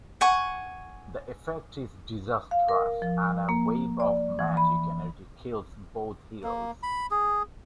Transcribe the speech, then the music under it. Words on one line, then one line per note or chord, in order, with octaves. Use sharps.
The effect is disastrous and a wave of magic energy kills both heroes.
F#5 G#5 C#6
F5
A#4
F3
A#3
D5
E3
B5
A#3
B5
G#4